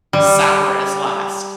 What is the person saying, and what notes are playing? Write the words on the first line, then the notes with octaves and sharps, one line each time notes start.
sour as last?
G3